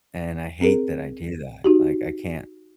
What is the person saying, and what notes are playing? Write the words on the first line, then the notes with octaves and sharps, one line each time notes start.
and I hate that I do that, like, I can't
C4 G#4 A#4
D#4 F#4 G4